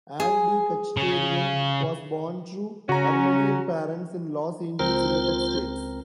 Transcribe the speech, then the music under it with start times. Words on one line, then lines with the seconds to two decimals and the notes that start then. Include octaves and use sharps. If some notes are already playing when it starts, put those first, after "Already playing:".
Andy Khachaturian was born to Armenian parents in Los Angeles, United States.
0.20 G#4
0.97 C#3
2.89 C#3 C#4 F#4 A#5
4.79 C#2 C4 F4 A#4 C5